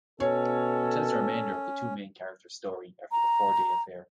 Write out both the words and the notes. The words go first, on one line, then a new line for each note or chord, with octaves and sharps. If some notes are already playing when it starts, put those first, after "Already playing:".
It tells the remainder of the two main characters' story after their four-day affair.
B2 C#4 A4 C#5
A#5